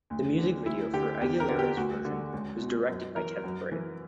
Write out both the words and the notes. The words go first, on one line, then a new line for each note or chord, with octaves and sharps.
The music video for Aguilera's version was directed by Kevin Bray.
D2
D3
D2 E4
D3 G4
E2 G4
A#4
D3
G4
D2 F#4
D3
C#2
B2
F#2
E3 A#4
F#2
E3